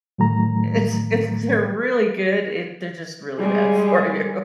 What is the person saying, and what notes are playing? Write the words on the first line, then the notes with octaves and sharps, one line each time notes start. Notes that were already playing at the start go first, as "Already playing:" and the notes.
It's it's they're really good, it they're just really bad for you.
A2 D#3 F#3 A3 A#5
G3 G#3 G#4